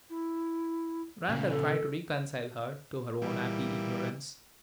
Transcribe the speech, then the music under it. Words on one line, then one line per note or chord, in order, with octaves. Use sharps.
Randal tried to reconcile her to her own happy ignorance.
E4
A#2 C#3
A4
A#2 E3 G3